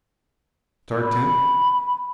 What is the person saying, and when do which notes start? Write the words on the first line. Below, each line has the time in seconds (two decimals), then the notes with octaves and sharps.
Start Temp.
1.01 B5